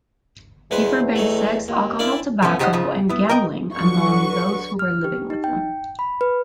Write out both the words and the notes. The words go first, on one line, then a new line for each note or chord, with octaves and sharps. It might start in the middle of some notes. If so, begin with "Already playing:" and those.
He forbade sex, alcohol, tobacco and gambling among those who were living with him.
E2 G#3 B4 C5
F#3 A3 D#4
D#2
A#3 D4 E4 D5
F3 A3 B3 C#4
G#2 D#3 G4 C5 D#5 F#5
G#2 C#3 F3
B3 E4
A#4 D#5 G5
D3 F#3 F#4 B4 C#6
F6
G4
D#4
G5
B5
B4